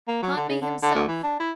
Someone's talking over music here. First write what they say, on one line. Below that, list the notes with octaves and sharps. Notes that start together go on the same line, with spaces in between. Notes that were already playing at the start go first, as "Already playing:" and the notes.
Conmee himself!
A#3
F#3
D3
C#3
D3
D3
D2
E3
D4
E4